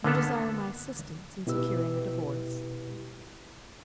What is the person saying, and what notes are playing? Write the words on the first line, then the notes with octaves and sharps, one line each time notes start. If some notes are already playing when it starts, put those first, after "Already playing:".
"You desire my assistance in securing a divorce?"
D3 A#3 B3 A4
B2 E4 G4 B4 E6